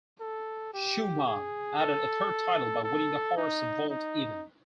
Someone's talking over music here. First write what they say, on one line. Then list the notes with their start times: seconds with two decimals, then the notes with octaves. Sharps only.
Schuhmann added a third title by winning the horse vault event.
0.21 A4
0.74 G4
1.26 G#4
1.79 A4
2.84 A4
3.37 D#4
3.89 D#4